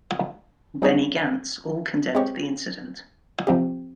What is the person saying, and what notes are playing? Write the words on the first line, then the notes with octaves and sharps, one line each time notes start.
Benny Gantz all condemned the incident.
G3 C4 D#4 G#4 C#5
G#3 C4 G4 C#5
C3 F3 C4 G4